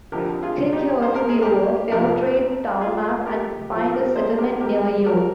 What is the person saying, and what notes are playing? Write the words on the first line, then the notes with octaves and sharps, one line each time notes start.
Click here to view a Fairtrade town map and find a settlement near you.
F2 D3 F3 G4 A#4
F4 G#4
D#4 G4
C5
A#4
G#4
G4 A#4
F2 C3 F3 G4 A#4
F4 G#4
G4 A#4
A#2 F3
G4 A#4
G#4 C5
G4 A#4
G4 A#4
G4 A#4